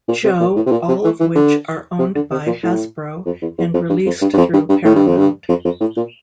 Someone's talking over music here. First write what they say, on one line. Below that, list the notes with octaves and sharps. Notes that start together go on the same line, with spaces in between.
Joe all of which are owned by Hasbro and released through Paramount.
A#2
C3
A#2
A2
C3
A#2
C3
E3
E3
D3
C3
D3
C3
A#2
A2
F2
E2
E2
F2
G2
F2
G2
G2
F2
G2
G2
A2
G2
F2
G2
F2
F2
A2
A#2